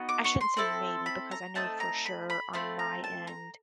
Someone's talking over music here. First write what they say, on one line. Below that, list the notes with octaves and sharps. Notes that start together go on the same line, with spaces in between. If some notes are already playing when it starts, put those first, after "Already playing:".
I shouldn't say maybe because I know for sure, on my end,
Already playing: B3 D#4 F#4
D6
C#6
C6
C4 E4 A4
B5
A#5
A3 C4 D#4 A5
A#5
B5
B5
A3 C4 F4 B5
A#5
A5
A#5